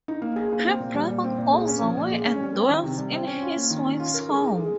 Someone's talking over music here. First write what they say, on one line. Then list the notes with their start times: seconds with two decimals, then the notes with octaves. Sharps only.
Her brother goes away and dwells in his wife's home.
0.08 D#4
0.22 A#3
0.36 G#4
0.52 A#3
0.66 C4
0.80 A#2
0.95 G3
1.09 A#2
1.24 C4
1.38 A#2
1.53 G#3
1.67 C#4
1.82 F3
1.97 A#2
2.11 G#3
2.25 C#4
2.40 G3
2.55 C4
2.69 D#3
2.84 C3
2.98 G3
3.13 C4
3.27 C#4
3.42 F4
3.56 A#3
3.70 D#3
3.86 C#4
4.00 F4
4.14 A#4
4.29 G#3
4.43 D#4
4.57 G#3